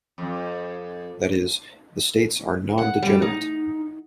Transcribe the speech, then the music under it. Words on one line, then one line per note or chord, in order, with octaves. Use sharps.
That is, the states are nondegenerate.
F2
F#5
G3
D#4